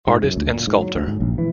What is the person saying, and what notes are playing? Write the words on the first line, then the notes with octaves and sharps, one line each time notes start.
Artist and sculptor.
G#2
F#2
D2
A#2
G#2
F#3
D2
G#2
A#1
E3